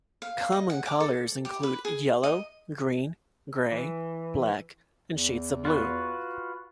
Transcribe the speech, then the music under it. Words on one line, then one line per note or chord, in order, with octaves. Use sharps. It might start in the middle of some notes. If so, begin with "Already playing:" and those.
Common colours include yellow, green, grey, black and shades of blue.
F5
D#5
F#5
D6
A4
G4
B4
G#4
D#5
E3
E2
F4 F#4 B4